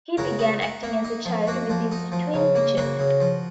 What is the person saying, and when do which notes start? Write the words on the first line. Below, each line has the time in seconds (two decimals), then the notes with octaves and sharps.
He began acting as a child with his twin Richard.
0.17 C#3 F#4 A#4
0.39 D#4
0.61 D#4
0.83 A#3
1.04 D#4
1.25 F3
1.47 A#3 F#4
1.70 F3
1.91 D#4
2.12 F3
2.34 C#3
2.55 A#3
2.77 C#3 F#4 A#4
2.99 C#3
3.20 F3